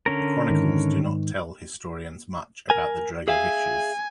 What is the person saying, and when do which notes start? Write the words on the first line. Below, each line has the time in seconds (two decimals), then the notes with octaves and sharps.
The chronicles do not tell historians much about the Dregoviches.
0.06 D3 C#4 A#4
0.50 G#2 D#3
2.70 A#4 G#5
3.28 G#4 E5 F5 G#5